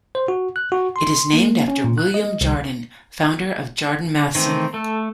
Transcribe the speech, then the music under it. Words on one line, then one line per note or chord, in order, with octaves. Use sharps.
It is named after William Jardine, founder of Jardine Matheson.
C5
F#4
F#6
F#4
C6
A#3
C#4
A#2
F#6
D#5
C2
D#3 E3 A3 C4
A3 A4